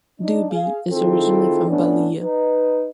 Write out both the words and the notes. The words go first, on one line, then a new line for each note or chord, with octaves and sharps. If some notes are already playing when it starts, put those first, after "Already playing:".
Dubey is originally from Ballia.
D4 D#4
G#4 F5
D#3 C4 E4 F4 G#4 A4
A2 A3 B3 C#4 D4
D#4 B4